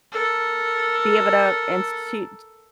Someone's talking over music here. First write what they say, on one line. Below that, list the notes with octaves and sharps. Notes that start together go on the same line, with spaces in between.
be able to institute
A4 A#4